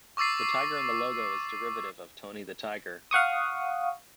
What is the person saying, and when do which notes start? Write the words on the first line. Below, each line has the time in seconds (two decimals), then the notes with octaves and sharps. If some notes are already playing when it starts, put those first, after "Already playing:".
The tiger in the logo is derivative of Tony the Tiger.
0.17 C#6 D6 E6 A6 C7
3.11 F5 F#5 C#6 D#6